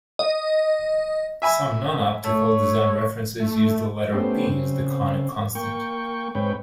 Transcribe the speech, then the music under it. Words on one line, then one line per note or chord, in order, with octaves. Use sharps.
Some non-optical design references use the letter "p" as the conic constant.
D#5
E5 G#5 B5
A3 C#5
A3
A3 B3 C#4 G4 C5
C#3 C4
A#3 G5 C#6
G#2 C4 B4 C#5 G5